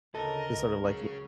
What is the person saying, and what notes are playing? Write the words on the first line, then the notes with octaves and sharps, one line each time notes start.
to sort of, like, you
D2 C#3 A4 A#4 D#5
C#2
F#3 C#4 G#4